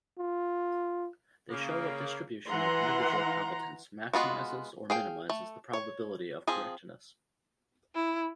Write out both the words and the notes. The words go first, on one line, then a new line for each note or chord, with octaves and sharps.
They show what distribution of individual competence maximizes or minimizes the probability of correctness.
F4
C#3 A#3
E3 F#5 A#5 C6
G#3 B3 F4 F#4
G#4 F5 G5
A3
C#5
F3 C4 G#4
E4